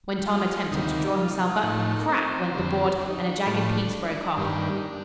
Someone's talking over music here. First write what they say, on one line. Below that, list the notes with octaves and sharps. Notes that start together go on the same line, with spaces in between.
When Tom attempted to draw himself up, crack! went the board, and a jagged piece broke off.
G4
F4
D2 C3 D#3 G3 A#3 D#4
F4
D#4
F4
A2 F3 A3 D#4
A#3
C4
F2 D3 G3
D4
D#4
D4
A2 F3 A3 D4
G2 D#3 G3 A#3 D4
D#4
D4